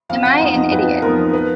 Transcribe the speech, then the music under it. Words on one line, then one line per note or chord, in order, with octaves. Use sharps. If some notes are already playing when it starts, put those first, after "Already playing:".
Am I an idiot?
F2 F5
F#5
F3 B3 D#4 F5
D#5
F2 B4
F3 B3 D#4 A#4
B4